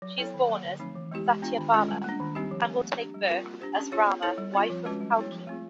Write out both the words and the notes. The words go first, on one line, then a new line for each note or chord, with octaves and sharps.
She is born as Satyabhama and will take birth as Rama wife of Kalki.
F#3
B3 E4 A4 C#5
D#3
F#3 A#3
D3
F3 A3 C4 D#4
E3
G#3 B3 E4 G4
G#3
B3 D4 F4
D#3
G#3 C#4 F4 A4
G3
A#3 D4
D#3
G3 C4 D#4 G4
F3
A3 C4
A#3
D4 G4
G3
C4 F4 A#4
A#3
D4 G4 C5
C#4
F4 G#4 C#5
B3
E4 A4 C#5
G3
C4 F4
F3
G#3 C#4 F#4 B4
G3
B3 E4 G#4 C#5
F3
A3 C4 F4 G#4